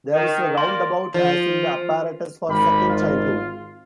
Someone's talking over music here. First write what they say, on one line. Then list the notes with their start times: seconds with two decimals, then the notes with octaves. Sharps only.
There is a roundabout as in the apparatus for second childhood.
0.14 D#3
0.58 A#3 A#4 D5 C6
1.14 F3
2.49 G#1 G4 A#4 B5
2.89 F4